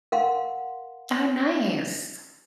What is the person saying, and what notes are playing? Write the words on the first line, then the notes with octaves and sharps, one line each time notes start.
Oh, nice.
A#4 F5 F#5 C6